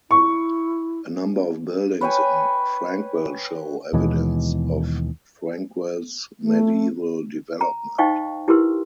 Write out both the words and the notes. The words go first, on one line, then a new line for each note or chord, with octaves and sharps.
A number of buildings in Frankwell show evidence of Frankwell's medieval development.
E4 C#6
B4 C#5 G5 G#5
D#2 B2 E3 G#3
A3
A#5
D#4 C5 D#5 F5 G5 C#6
E4 G4 A#4 B4 C6 E6